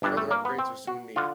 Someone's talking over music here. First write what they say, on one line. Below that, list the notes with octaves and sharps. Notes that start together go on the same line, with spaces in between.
Further upgrades were soon needed.
G1 G2 E3 D4
A3
A#3
B3
C4
F#4
D3 F4